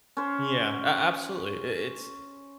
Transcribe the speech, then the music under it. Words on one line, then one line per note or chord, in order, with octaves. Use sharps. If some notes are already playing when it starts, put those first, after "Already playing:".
Yeah, a absolutely, i it's,
C#4 C5